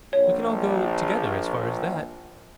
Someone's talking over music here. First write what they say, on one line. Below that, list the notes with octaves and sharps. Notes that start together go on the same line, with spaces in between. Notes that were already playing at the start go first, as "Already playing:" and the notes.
We can all go together as far as that.
A#1 C#5